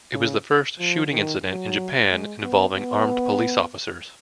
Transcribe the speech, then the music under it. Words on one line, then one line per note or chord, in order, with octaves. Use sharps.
It was the first shooting incident in Japan involving armed police officers.
C#3
F3
D#3
F#3
G#3
B3
B3